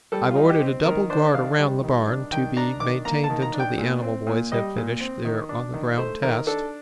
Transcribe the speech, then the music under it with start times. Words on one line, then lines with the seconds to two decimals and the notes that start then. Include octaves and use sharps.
I've ordered a double guard around the barn, to be maintained until the animal boys have finished their on-the-ground tests.
0.12 G3 A4
0.31 F4
0.36 D#4
0.49 G4
0.61 C4
0.85 D#3 A#4
1.10 D4 C5
1.34 D#3 F5
1.58 G3
1.84 D#3
2.07 D4
2.32 D#3 G5
2.56 D4 A#5
2.80 D#3 D6
3.05 A#3 A#5
3.24 A5
3.30 D#3
3.42 A#5
3.54 D4
3.60 G5
3.78 A#2
4.02 C4
4.27 A#2
4.52 G3 D#5
4.77 A#2
5.01 C4
5.25 D#3
5.49 D4
5.74 D#3
5.98 A3 C5
6.23 D#3 A#4
6.47 D4 A4